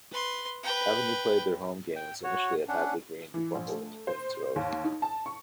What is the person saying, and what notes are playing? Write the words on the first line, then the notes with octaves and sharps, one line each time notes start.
Avenue played their home games initially at Hadley Green before moving to Queens Road.
B4 C6
B4 G5
G5
F#4 C#5
C#4 D4 F#5
E3
A#1
A3
C5
D#2
D#4
A5
C#6